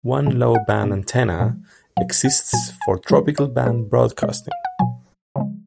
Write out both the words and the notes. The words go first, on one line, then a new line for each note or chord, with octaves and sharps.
One Low Band antenna exists for Tropical Band broadcasting.
A#2 F3 G#3
F#5
F5
B2 G#3
A#2 F3 G#3
B2 F#3 F5
F#5
A#2 F#3 G#5
G#5
C#3 F3 G#3
C#5
A#2 G#3 B4
B2 G#3 D#5
F5
F#5
B2 F#3 G#5
C#3 F3 G#3